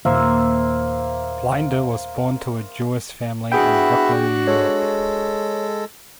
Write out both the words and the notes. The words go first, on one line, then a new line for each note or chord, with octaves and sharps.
Blinder was born to a Jewish family in Brooklyn, New York.
D#2 A#2 D#3 A#3 C5 E5
B3 D4 E4 F#4 G#4 E5 G5
G#3 A4 C#5